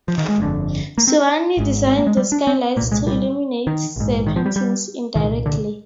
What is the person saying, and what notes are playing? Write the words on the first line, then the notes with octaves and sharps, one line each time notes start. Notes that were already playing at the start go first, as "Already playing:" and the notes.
Soane designed the sky lights to illuminate the paintings indirectly.
F3
D#3
G#3
G1 F2 D3
A#3
C4
G#1 G#2
C4
A#3
G#3
G3
D4
C4
C2 A#2 A#3
G#3
G3
D#3
A#1 G#2
D#3
F3
G3
G3
C2 A#2 D#3
D3